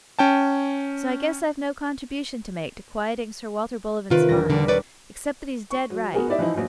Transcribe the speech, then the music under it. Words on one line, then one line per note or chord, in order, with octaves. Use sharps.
So I guess I've no contribution to make to quieting Sir Walter Bullivant's mind, except that he's dead right.
C#4 G5 A5
C3 D#3 F4 B4 D7
E1 A#6
E1 D3 G3 D6
B4 C#5 D5
C#6
F#3
B3 F#4 G#4 A#4
D#4 E4 G4 D5 E5
E3 F3 D#4 E4
A#1 F#2